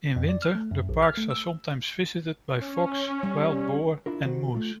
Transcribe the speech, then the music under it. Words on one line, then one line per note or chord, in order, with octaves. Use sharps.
In winter, the parks are sometimes visited by fox, wild boar and moose.
F2
D5
F6
A3
F#2
A#1
F6
A3
E6
C#4
G3
D4 E4 F4 A#4
D#3 F#4 C5
A3 F4